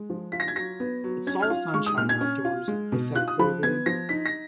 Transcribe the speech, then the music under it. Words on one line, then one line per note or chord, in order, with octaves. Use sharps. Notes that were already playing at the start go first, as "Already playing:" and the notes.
"It's all sunshine outdoors," he said gravely.
Already playing: G#3
F3
F4 B6
A#6
G#6
F#3 A#6
B3
F#3
C#4 G#6
F6
F4
G#3 C#6
D#6
A#2 F6
G#6
C#4
F4
G#3
B2
F4 F#6
D#6
F3 B5
B3 G#6
F3 A#6
D#4 B6
A#6